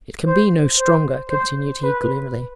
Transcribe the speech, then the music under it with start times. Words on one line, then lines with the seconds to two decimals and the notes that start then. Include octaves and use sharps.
It can be no stronger,' continued he, gloomily.
0.24 C5
0.77 C5
1.30 C5
1.84 B4